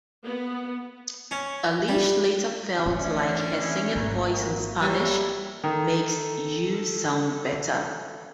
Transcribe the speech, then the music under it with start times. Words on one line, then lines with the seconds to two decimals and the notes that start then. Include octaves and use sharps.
Eilish later felt like her singing voice in Spanish "makes you sound better".
0.24 B3
1.31 C#4
1.88 G3
2.86 A2 E3 C#4 D4
3.58 C3 E4 G#4
3.96 G#1 B4 E5 A#5
4.27 A#3 F#4 A4
4.82 G3 C#5 E5 A#5 C#6
5.64 D#3 A4